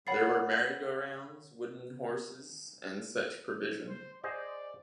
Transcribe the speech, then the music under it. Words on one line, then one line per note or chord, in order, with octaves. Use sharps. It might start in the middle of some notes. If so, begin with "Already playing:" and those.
There were merry-go-rounds, wooden horses, and such provision.
C#5 F#5 B5 A6 C7
C5
G#4 C5 D5 D#5